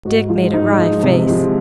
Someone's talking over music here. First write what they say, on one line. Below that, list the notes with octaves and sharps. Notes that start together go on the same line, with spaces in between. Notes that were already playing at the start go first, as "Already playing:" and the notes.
Dick made a wry face.
G#2 F#4
F3 G#3 F4
G#2 D#4
F3 G#3
C3
F3 G#3